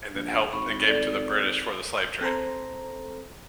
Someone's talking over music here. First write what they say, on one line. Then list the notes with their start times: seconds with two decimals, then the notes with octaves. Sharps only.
and then helped and gave 'em to the British for the slave trade,
0.14 A#1
0.52 G#1 B5 C#6
0.84 A4 D5
2.21 C4 A4 C5 A#5